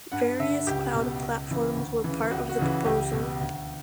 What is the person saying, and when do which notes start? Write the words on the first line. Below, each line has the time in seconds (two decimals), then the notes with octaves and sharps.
Various cloud platforms were part of the proposal.
0.12 G2 F#5
0.39 D3 E5
0.67 C#2 G4
0.94 B2
1.22 C#2
1.49 C#3 E3
1.77 D2
2.04 C#3 E3
2.31 C#2 F#4
2.50 F#4
2.59 C#3 E3
2.67 F#4
2.85 C#2 G4
3.13 B2
3.41 D2